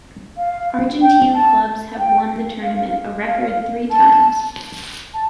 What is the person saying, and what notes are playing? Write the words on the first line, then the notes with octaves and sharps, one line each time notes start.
Argentine clubs have won the tournament a record three times.
F5
G5
A5
F5
G5
F5
F5
A5
A5